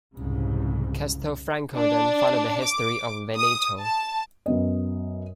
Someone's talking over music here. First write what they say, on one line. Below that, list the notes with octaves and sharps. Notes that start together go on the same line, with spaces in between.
Castelfranco then followed the history of Veneto.
C2 F2 G#2 C#3
D4
D6
D#6
A5
F#2 B3 D#5